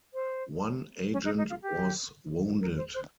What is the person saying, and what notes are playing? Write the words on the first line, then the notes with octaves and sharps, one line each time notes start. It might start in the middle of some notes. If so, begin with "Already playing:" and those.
One agent was wounded.
C5
C#4
D#4
D#4
F4
G4
A#4
C5
C5